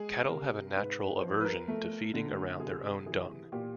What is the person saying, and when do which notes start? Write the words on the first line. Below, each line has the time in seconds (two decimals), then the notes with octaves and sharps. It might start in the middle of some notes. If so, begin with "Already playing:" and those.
Cattle have a natural aversion to feeding around their own dung.
Already playing: G#3 G#4
0.29 C3 A#4
0.76 G#2 B4
0.99 B4
1.22 F3 C5
1.41 B4
1.45 A#4
1.68 A3
2.14 D3
2.60 C3 G#4
3.06 E3 G#4
3.52 A#2 G4